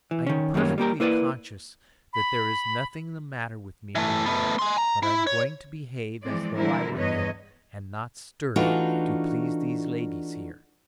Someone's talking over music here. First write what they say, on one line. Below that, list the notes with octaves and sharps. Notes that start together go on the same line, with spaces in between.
I am perfectly conscious that there is nothing the matter with me any more; but I am going to behave as though I were ill, and not stir, to please these ladies here.
E3
D#3 C#4
F#2 D#3 G3 A#3 C#4
G3 A#3 G4 A#4
A#3 E4 B4 C#5 D5
B5
E3 A3
A3 B3
G#5 C6
A#5
E4
C#5
E3 F3 G#3 C4 D5
D3 E3 G3 C4 E4 A#4
E2 G2 B4 C#5 D#5
E3 A3 D4 D#4 F4 F#4